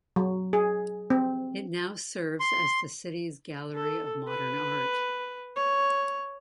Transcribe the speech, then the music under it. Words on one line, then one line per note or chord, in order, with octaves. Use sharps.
It now serves as the city's Gallery of Modern Art.
F#3
G#4
C4
C6
A4
B4
C#5